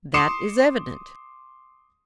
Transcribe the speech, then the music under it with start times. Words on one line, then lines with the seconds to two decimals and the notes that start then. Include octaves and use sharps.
That is evident.
0.14 C6 D6 D#6 C7 C#7 E7